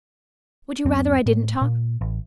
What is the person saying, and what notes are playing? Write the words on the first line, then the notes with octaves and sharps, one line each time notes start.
Would you rather I didn't talk?
D1 F#2 C4
A2
A#2
A1